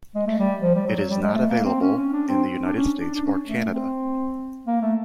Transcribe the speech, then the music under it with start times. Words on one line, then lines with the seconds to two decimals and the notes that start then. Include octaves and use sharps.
It is not available in the United States or Canada.
0.15 G#3
0.27 A3
0.39 G3
0.62 F3
0.75 G3
0.87 F#3
0.98 F#3
1.11 G3
1.22 G#3
1.34 A3
1.49 A#3
1.65 C4
1.81 C#4
1.97 C#4
2.13 D4
2.28 C4
2.65 D4
2.76 C#4
3.01 D4
3.15 D4
3.24 C#4
3.48 A3
3.72 C4
4.67 A#3
4.82 A3